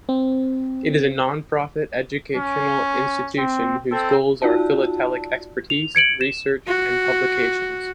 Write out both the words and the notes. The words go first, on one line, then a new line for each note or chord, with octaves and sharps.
It is a non-profit educational institution whose goals are philatelic expertise, research and publications.
C4
C#4
C4
C4 A4
D#4 F4 F#4 D5 A5
F7
G#6 C#7 D7 F#7
E7
F#4